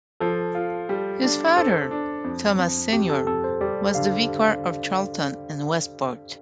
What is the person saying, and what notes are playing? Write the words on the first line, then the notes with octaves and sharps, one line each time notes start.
His father, Thomas Senior was the vicar of Charlton and Westport.
F3 A4
F4
G3
D4
A4 C5
D4
F2
F2
F2 G4
A4
F2 A4
C5
G3 D5
D3 F5